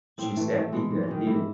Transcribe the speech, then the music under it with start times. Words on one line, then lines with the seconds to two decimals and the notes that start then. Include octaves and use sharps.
She said Linda did it!
0.18 A2 C4
0.37 E3 A3
0.54 A2 A3
0.73 E3 G#3
0.91 G#2
1.03 C#4
1.08 D#3 F#3
1.26 G#2 E4